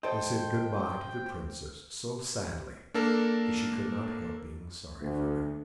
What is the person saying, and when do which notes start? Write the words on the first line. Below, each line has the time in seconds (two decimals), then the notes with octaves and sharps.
They said good-by to the Princess so sadly that she could not help being sorry for them.
0.03 A4 C5 D#5 G5
2.94 A#3 D4 A4 A#4
5.01 D2